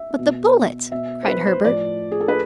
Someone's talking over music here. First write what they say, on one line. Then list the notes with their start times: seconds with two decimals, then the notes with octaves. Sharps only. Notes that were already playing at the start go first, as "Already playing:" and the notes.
"But the bullet," cried Herbert.
Already playing: E5
0.19 B2
0.91 B2 E5
1.23 C5
1.28 B4
1.47 C5
1.64 A2 F3 D5
2.12 G#4
2.20 A4
2.28 B4